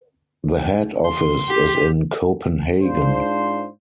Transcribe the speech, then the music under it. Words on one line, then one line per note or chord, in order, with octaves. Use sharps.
The head office is in Copenhagen.
C6
G4
G#2 D4 F4 C5